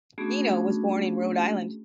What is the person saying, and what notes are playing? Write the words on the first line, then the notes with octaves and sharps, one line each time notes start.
Eno was born in Rhode Island.
A3 B3 C#4 D4 F#4 G#4